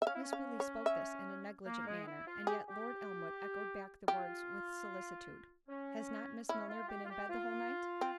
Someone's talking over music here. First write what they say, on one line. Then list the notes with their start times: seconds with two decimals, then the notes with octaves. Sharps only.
Miss Woodley spoke this in a negligent manner, and yet, Lord Elmwood echoed back the words with solicitude, "Has not Miss Milner been in bed the whole night?"
0.02 E5
0.06 C#4 F5
0.15 E4
0.23 C#4
0.33 F5
0.60 C#5
0.86 E5
1.66 A#3
1.87 G#3
2.07 E4
2.27 F4
2.47 G4 G#4
2.69 G4
4.08 F4 G4
5.69 C#4
6.49 C#4 E4
6.69 F4
6.89 G4
7.05 F4
7.10 G4
7.30 F4
8.01 C4